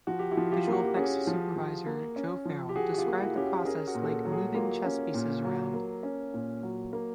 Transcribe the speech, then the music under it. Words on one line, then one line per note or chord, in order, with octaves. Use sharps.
Visual effects supervisor Joe Farrell described the process like "moving chess pieces around".
F3 F#4
G4
E4 F#4
F3
F4 G4
A#3
F#4
G4
C#4 F#4 G#4
F3
F3
A#3
C#4
F3
G4
F3 F#4 G#4
F#4
F4 G4
A#3
E4 F#4
C#4 G4
E4 F#4
C#4 G#4 A#4
F#4 G#4
A#2
A4
F#4 G#4
F#3
F#4 G#4
G#4
A#3 F4 G4
C#4
A#2
F#3
A#3
C#4
A#2
F#3
A#3